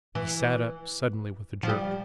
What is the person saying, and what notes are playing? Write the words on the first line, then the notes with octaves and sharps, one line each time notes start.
He sat up suddenly with a jerk.
E3
F3
G3